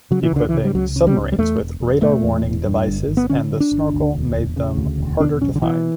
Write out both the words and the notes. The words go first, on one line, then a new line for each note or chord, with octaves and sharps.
Equipping submarines with radar-warning devices and the snorkel made them harder to find.
C#3 F#3
E3
C#2 D3
E3
C#3
G3
C#2 F#3
C#3
G3
C#2
G3
E2 A3
E1
E1
B2 A3
E2
E1
G2
G1
G1
B3
D3 C#4
G2
D4
G1
D2
E1
E1
C#3
D2
E1
B2 D4
B1 C#4
D3
B2 E3